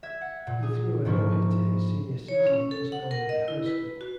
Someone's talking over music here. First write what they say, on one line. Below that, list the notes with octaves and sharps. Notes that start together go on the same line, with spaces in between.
He threw a no-hitter his senior season against Normandy High School.
E5 G#6
F#5
A#2
G#4
G#2 F3 A#3 E4 C#6
C#5
C#4
A4
F#5
A#4
D#5
E4
B4
F#4